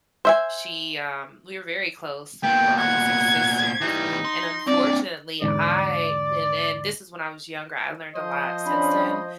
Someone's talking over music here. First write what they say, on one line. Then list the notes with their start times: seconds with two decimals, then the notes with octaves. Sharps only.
she, um, we were very close, we were almost like sisters, and unfortunately, I and and this is when I was younger, I learned a lot since then.
0.25 C5 E5 G#5
2.43 A#2 B3 G5
2.78 F#5 G#6
3.81 E3 G3 D#4
4.25 C6
4.67 C4 D4 D5
5.42 E2 G#2 D3 D5
8.15 F3 C5 D#5
8.66 C#4 D4 B5